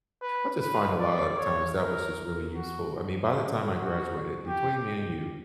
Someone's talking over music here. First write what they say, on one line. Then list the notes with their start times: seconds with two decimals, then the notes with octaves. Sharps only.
I just find a lot of times that was just really useful, I mean, by the time I graduated, between me and you,
0.22 B4
0.60 B4
0.99 D5
1.38 C#5
1.76 A#4
2.54 F#4
3.70 F#4
4.47 G4